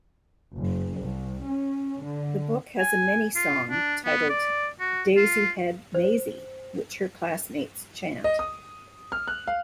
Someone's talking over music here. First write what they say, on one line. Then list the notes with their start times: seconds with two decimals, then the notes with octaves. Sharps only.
The book has a mini-song titled "Daisy-Head Mayzie" which her classmates chant.
0.56 F#1
0.98 C2
1.45 C#4
2.02 D3
2.78 G#5
3.36 F4
3.70 D4
4.05 B3
4.29 D5
4.80 F#4
5.17 F4
5.95 C5
8.24 D#5
8.39 D#6
9.12 F6
9.28 F#6
9.47 F5